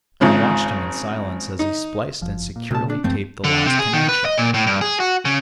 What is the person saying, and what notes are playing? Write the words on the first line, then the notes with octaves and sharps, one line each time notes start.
I watched him in silence as he spliced and securely taped the last connection.
G#1 G#2 C#3 F3
D#4
F#1 F3
A#2
C2 A#2 A5
D4
G2 F3 A3 C4
D3
C3
G#4
D#3
B4
D#5
A#2
A2
G2
G#4
F#4
C#3